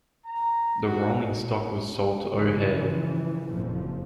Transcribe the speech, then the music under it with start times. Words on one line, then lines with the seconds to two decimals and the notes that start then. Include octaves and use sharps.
The rolling stock was sold to O'Hare.
0.25 A#5
0.85 F#4
2.32 C#3 E3 F3
3.50 F#1 F2 A#2 C#3 F3